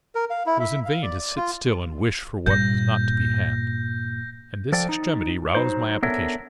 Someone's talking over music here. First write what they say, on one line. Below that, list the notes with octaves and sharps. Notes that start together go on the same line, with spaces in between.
It was in vain to sit still and wish for what was not to be had; and this extremity roused my application.
A#4
F5
E4
E5
F5
D5
D5
F4
G2 A#2 G6 A#6
F3 A4 D5 G5
D#4
F#3 D#4 C5
B3 D4 A4 A#4 C#5 E5